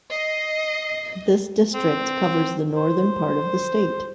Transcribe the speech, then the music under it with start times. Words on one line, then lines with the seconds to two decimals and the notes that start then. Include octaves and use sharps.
This district covers the northern part of the state.
0.10 D#5 C7
1.74 C4
2.75 C5